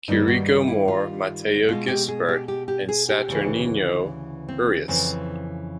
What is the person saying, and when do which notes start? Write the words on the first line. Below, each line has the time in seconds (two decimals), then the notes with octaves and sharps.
Quirico More, Mateo Gisbert, and Saturnino Urius.
0.08 G2 D#3 G3 A#3 D#4
0.28 F#4
0.48 F4
0.68 E4
0.88 F4
1.68 B2 G#3 F4
1.88 G4
2.08 G#4
2.29 G4
2.48 G4
2.68 G4
2.89 G#4
3.09 G4
3.28 D2 C#3 E3
4.48 C4
4.88 F2 C#3 E3 C4